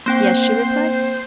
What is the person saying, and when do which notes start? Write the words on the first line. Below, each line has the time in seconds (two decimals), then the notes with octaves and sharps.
"Yes," she replied.
0.06 A#3 C4 C5 G5